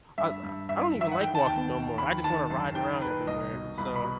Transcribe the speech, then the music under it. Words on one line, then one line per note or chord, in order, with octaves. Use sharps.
I, uh, I don't even like walking no more, I just wanna ride around everywhere, so
G2 E5
G2
G2 E5
E3
E5
F#5
D#3 G5
A5
D#2 G5
D#2
D#2 B5
D#3 A5
F#2
D#3 G5
D#3 B4
C2 D#5
B2
C2 B5
B5
B2